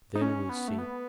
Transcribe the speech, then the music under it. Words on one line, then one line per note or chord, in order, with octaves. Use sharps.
Then we'll see.
D#4
C#4
B3
A3
B3